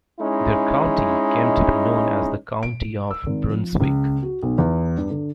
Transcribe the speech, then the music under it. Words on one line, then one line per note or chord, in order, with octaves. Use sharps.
Their county came to be known as the County of Brunswick.
G#3 C#4 D#4 E4
D7
E6
G#1
F3
C#2
F#4
B1
E2
G2
D3